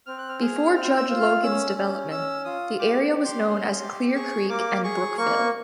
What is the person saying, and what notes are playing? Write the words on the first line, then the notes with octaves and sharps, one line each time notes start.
Before Judge Logan's development, the area was known as Clear Creek and Brookville.
C4 F6
F#6
F6
G#4 F6
C4 F6
E6
F4
F6
C#4 E6
C#4
C#4 E6
F4 D#6
G4 D6
G4
C6
C#4
G4
G#4 C#6
A#3 D6
G#4 C#6
A#3 C#6